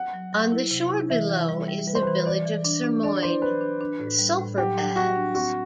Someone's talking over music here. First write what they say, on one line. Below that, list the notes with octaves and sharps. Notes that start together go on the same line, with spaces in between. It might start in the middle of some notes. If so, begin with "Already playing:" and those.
On the shore below is the village of Sirmione, with sulfur baths.
Already playing: F#5
F#3
F#3
E4
C3
E4
E3 E5
E3
G3
G3
G3 B4
C5
E3 B4
E3 D5
E3
D4
D4
D4 D5
D4 C5
D4 B4
D4
D4
A2
G3
A2
F#3 G4
F#3
F#3 F#4
D4
C4 F#4